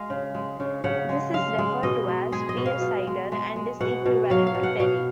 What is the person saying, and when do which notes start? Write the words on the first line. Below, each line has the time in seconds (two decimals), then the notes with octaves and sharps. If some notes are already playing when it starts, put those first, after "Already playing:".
This is referred to as "pear cider," and is equivalent to perry.
Already playing: G#3 F5
0.10 C#3
0.35 G#3
0.60 C#3
0.84 C#3 F#5
1.09 G#3
1.34 G#3 F5
1.58 G#3
1.83 B2 D#5
2.08 G#3
2.32 G#3 G#4
2.49 D#5
2.57 B2
2.66 F5
2.82 B2
3.07 G#3
3.32 G#3
3.56 G#3
3.81 B2 F#5
4.06 B2
4.30 F#3 F5
4.47 F5
4.55 B2
4.63 F#5
4.80 B2 F5